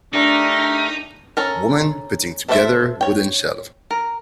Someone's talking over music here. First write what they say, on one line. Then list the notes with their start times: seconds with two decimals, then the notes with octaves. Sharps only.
Woman putting together wooden shelf.
0.14 A3 D4 D#4 G4 A#4
1.37 C#4 A4 A#4
2.48 A3 A4 C5 D5 E5
3.01 C#5 G5
3.91 A#4